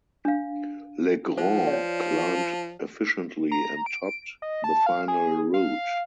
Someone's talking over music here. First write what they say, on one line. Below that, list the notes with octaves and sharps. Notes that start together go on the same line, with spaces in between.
Legrand climbed efficiently and topped the final route.
D4 F5
F3 C5
C#5 D5
A#5
D7
D#5
A5
F5
G#4
F5